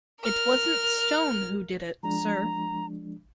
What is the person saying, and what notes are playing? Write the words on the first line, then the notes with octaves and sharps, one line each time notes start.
It wasn't Stone who did it, sir.
A#4 F6
F3 G#3 D4 A#5